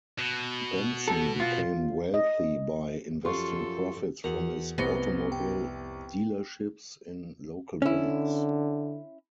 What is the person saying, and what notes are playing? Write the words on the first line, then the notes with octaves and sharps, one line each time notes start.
Benson became wealthy by investing profits from his automobile dealerships in local banks.
B2
A4
F4
D#5
F#2 F3 F4 G4 A4 C6 C#6
E2 F#4 A#4
F1 C2 B3 C5 A#6 C#7 G7
G5
D3 C#4 E4